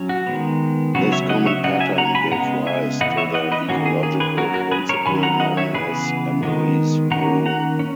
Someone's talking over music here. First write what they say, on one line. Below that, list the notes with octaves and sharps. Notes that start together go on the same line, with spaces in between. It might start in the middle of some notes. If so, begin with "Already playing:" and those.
This common pattern gave rise to the ecological principle known as "Emery's Rule".
Already playing: F#3 C#4
F#4
D#3 G#3 B3
C#3 F#3 B3 F#4
C#5 E5
D#5 F#5
C#5 E5
C#3 F#3 C#4 D#5 F#5
E5 G#5
F#5 A#5
G#5 B5
C#3 G#3 B3 F#5 A#5
E5 G#5
E3 B3 D#5 F#5
C#5 E5
D#5 F#5
B4 D#5
D#3 A#3 C#4 F#4
G#4
G#4
G#4 B4
F#3 C#4 F#4 A#4
F#4 A#4
G#4 B4
A#4 C#5
D#3 F#3 C#4 G#5 B5
F#5 A#5
D#5 F#5
C#5 E5
C#3 E3 B3 G#4 B4
D#3 G#3 B3
D#3 A#3 C#4 F#5 A#5
F#5 A#5
C#4